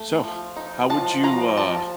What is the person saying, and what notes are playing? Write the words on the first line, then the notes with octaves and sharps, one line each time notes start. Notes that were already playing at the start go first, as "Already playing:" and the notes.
So, how would you, uh,
Already playing: A3
F3
D#4
F3 A5
F3 A#5
F3 A5